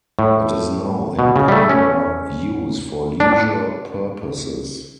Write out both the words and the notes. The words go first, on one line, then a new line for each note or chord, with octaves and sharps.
It is now in popular use for leisure purposes.
A2
B2
C#3
G3
A3
C#4
D4